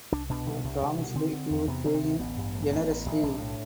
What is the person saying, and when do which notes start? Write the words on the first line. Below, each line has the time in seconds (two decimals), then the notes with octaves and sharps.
He promised he would pay him generously.
0.12 C2 D4
0.29 B2 D4
0.46 C2
0.64 C2
0.82 C2
0.98 B2
1.15 D3 C4
1.33 D3
1.50 E2
1.68 C3 B3
1.85 C3
1.94 C4
2.02 D2
2.19 A1 B3
2.37 G2
2.55 A1
2.72 A1
2.88 A1
3.06 A1
3.23 B1 D4
3.41 A2